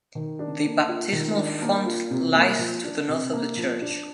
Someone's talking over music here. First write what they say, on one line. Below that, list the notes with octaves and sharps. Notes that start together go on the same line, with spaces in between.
The baptismal font lies to the north of the church.
D#3
D4
A#3
F4
D#3
D4
A#3
F4
C3
A#3
F3
D4
C3
A#3
F3
D4